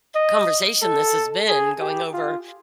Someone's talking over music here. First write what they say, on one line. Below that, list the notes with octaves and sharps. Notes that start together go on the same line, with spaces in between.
conversation this has been, going over
D#5
A4
G#4
G4
F4